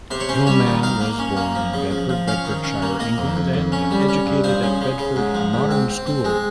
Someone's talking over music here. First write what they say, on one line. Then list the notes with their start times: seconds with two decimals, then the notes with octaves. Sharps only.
Millman was born in Bedford, Bedfordshire, England and educated at Bedford Modern School.
0.11 C3 C5
0.20 C#5
0.29 C#4 C5
0.46 G3 C#5
0.65 D#3
0.82 D#3 F5
1.01 A#3
1.19 C#4
1.37 A#3
1.55 F3
1.73 C#3
1.91 F3
2.09 F3
2.28 C#4 F5
2.45 D#3
2.64 C#4
2.82 A#3
2.99 A#3 D#5
3.18 F2
3.36 F2
3.54 F2
3.72 C#4
3.91 G3
4.09 C#4
4.26 G2
4.44 F3 C5
4.63 C#3
4.81 C#3
4.98 C#3
5.16 G#2
5.34 F3
5.53 G#2
5.71 C4
5.90 C4
6.06 C4
6.25 G#3